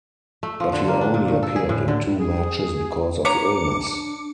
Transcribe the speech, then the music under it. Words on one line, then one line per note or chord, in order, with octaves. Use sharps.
But he only appeared in two matches because of illness.
A3
F3
D3
A#3
D4
A#2
G2
A4
G#4
A2
D3
G#4
D4 B4 C#5 A#5 D6 C#7